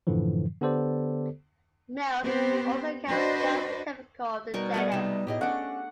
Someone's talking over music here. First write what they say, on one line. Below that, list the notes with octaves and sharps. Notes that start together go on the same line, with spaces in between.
Males also carry scars typical of the genus.
F#2 A2 D3 E3 F3
D3 B3 G4 A4 C5 D5
B3 C4 G4 C5
D4 F#4 B4 C5 D#5
B2 G3 D#4 A#4 C#6
G#3 B3 A#4 D5 D#5 F#5
C3 G#3 A3 D#4 A5
A2 G4 G#4 D#5
A3 C#4 D4 F#5